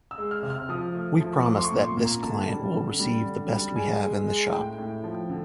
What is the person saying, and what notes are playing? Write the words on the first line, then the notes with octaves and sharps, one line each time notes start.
We promise that this client will receive the best we have in the shop.
E6
G#3
F6
C3
F6
F3 D#6
A3
F3
C#6
A3 D6
C6
C#6
A#2
C6
A#2
A#5
D3 A5
G3
D3
G3
D3
G3
G#3 G#5
G#3
G#3
A2 G5
A2
F3
D3